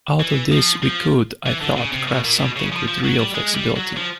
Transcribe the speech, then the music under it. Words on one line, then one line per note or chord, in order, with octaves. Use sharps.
Out of this we could, I thought, craft something with real flexibility.
E3
F3
F3
E3
D3
C#3
C3
B2
A#2
B2
C#3
F3
F3
F#3
G3
G#3
G3
F#3
F3